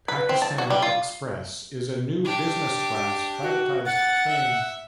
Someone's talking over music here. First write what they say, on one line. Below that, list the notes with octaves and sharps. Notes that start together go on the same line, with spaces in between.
Pakistan Express is a new business class privatized train.
B4
C4
A5
F#4
G3
F4
D4 G4
F#4
F#5 A6
E5